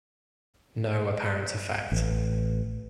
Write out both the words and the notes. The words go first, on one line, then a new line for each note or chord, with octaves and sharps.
No apparent effect.
A1